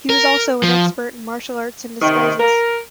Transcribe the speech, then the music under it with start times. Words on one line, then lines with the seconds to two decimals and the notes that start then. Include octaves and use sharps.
He was also an expert in martial arts and disguises.
0.10 A#4
0.63 F3
2.01 C3 D#3
2.38 A#4